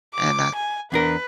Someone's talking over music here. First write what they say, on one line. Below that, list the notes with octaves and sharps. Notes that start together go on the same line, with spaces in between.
and I I
D6
G#5
E2 D4 A#4 B4